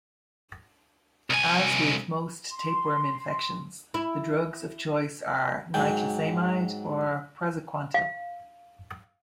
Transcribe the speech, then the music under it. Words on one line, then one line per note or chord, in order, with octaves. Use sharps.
As with most tapeworm infections, the drugs of choice are niclosamide or praziquantel.
C2 G#5
C6
E4
G#2 F#3 G5 G#5
F5